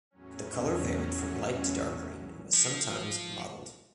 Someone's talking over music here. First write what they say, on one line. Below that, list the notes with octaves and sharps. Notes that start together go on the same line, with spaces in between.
The colour varied from light to dark green and was sometimes mottled.
E2 A2 F#3 C#4
F3